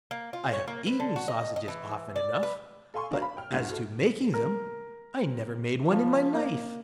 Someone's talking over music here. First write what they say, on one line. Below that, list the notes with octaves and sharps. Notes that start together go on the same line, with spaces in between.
I have eaten sausages often enough; but as to making them, I never made one in my life.'
A#3
F4
C#5
A#3
B4
D3
F#4
D#5
D#5
E3
D5
B4
A4 F5 G#5 C6 C#6
D4 F#4 A#4 F5
B5
G5 F6
C2 G2
F#4 A4
A#4
F3
A#3